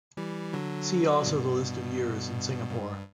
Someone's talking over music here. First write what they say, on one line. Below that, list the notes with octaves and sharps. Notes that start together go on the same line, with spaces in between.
See also the list of years in Singapore.
E3 G3
D3 F#3
G2 B2
G2